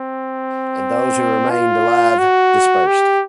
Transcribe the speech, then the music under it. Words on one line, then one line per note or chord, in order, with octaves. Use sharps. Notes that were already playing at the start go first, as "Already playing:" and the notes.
Those who remained alive dispersed.
Already playing: C4
F4
F#4
G4